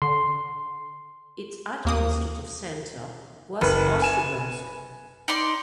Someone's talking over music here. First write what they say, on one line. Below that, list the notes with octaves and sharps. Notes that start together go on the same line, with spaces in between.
Its administrative centre was Ostrogozhsk.
D3 C6
D#2 A#3 D#6
F#1 B4
G#5 E7
D#4 D5 C6